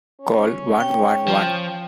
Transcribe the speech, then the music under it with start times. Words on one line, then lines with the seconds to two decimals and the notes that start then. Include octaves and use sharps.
Call one one one.
0.21 C#4
0.80 G5
1.28 F3